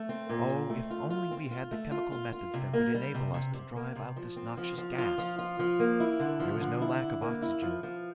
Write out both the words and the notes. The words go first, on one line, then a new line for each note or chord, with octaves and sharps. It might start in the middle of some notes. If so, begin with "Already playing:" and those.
Oh, if only we had the chemical methods that would enable us to drive out this noxious gas! There was no lack of oxygen.
Already playing: A3
C4
A#2
C4
A3
F4
F4
C4
F4
A3
F4
F4
F4
C3
A#3
G3
C3
C3
C3
A#3
C3
F3
C4
F3
F3
F4
F3
F4
F3
A#3
E4
D3
F3
D3
E4
D3
A#3
E4
F3
F3